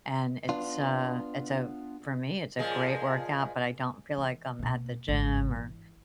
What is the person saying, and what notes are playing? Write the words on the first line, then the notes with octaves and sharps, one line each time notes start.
and it's, uh it's a for me, it's a great workout, but I don't feel like I'm at the gym or
B3 D4 F4
A#2 F3 G#3
E3
B2 A#3
G#1 G2
E3